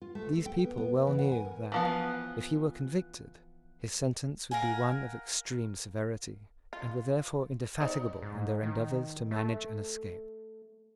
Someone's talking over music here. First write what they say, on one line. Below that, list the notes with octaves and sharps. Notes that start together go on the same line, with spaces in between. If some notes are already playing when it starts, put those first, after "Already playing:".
These people well knew that, if he were convicted, his sentence would be one of extreme severity, and were therefore indefatigable in their endeavours to manage an escape.
F4
A3
A4
G5
B3
B3
D#5
E3
F#5
G#5
A#4
E3 F3 B3
A#4 F5 F#5 G#5
F4
D#4 C5 D5
G#2
D#3
A3